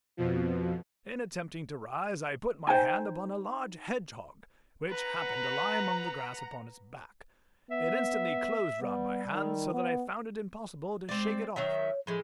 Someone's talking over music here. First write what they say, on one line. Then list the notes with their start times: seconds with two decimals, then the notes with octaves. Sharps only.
In attempting to rise I put my hand upon a large hedgehog, which happened to lie among the grass upon its back: it instantly closed round my hand, so that I found it impossible to shake it off.
0.17 F2 B2 F3
2.67 D#4 C5 G5 G#5
4.89 B4 F#5 A#5
7.71 B3 E5
8.82 G3 B3
9.34 D#3
9.74 B3
11.09 G#3 C4 D5
11.56 D#3 F#3 C#5 E5
12.07 A2 F3 G#3